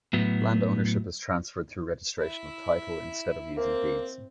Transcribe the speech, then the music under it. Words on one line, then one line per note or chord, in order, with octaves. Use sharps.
Land ownership is transferred through registration of title instead of using deeds.
A2 F#3 B3
E4 E5
A#3 C4